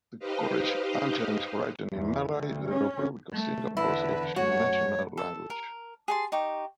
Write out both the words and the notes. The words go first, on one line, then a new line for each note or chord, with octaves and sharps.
The College Anthem is written in Malay, the Republic of Singapore's official national language.
D#4 G4 B4 C5 D#5 F5
E2
D2
C#4
A3
E2 D3 E4 B4
F#2 A3 F#4 C#5
A4
A#4
G#4 A5 C6
D#4 G4 C#6